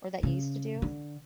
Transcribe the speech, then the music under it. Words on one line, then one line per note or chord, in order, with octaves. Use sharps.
Or that you used to do?
C#3
D3